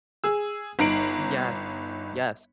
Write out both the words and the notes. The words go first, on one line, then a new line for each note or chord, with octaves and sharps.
Yes. Yes.
G#4 E6
G1 D#4 A#5 C7 D7 F#7